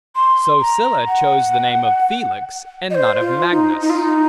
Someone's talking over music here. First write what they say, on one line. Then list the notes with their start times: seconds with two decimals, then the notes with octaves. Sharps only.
So Sylla chose the name of Felix, and not of Magnus.
0.16 C6
0.61 A#5
1.07 F#5
2.90 D#5
2.95 C5
3.21 F4
3.51 D#4
3.82 D#4
3.90 F4
3.99 D#4